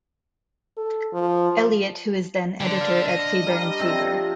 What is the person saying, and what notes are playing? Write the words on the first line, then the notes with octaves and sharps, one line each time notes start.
Eliot, who was then editor at Faber and Faber.
A4
F3
D3 D4 C5 C6
F5
D#5
G3 G4 A#4
C3 F3 C4